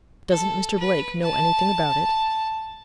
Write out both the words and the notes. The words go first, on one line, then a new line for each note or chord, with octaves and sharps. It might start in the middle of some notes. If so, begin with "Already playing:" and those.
"Doesn't Mr. Blake know anything about it?"
A4
B4
A5